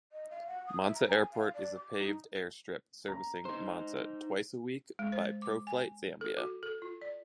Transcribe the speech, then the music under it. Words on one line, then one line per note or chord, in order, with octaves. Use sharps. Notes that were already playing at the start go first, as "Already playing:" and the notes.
Mansa Airport is a paved airstrip servicing Mansa twice a week by Proflight Zambia.
D#5
F5
F#5
D#6
E5
A#5
G#5
F5
D5
D6
D#4
A#5
D#4 C5
G#3
C5
D6
G#5
A4
F#4
A4
F4
D5